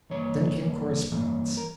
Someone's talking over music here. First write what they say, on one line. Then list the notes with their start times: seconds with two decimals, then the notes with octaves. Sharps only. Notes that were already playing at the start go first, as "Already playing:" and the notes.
Then came correspondence.
0.10 G2 E3 A#3 C#5
0.60 G2 E3 A#3 C#4
1.12 G2 E3 A#3 C#4
1.57 A#4